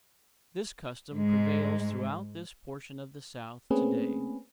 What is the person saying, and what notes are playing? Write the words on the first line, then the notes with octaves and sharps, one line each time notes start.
This custom prevails throughout this portion of the South to-day.
G#2 G#3
A3 A#3 C4 C#4 G#4 B4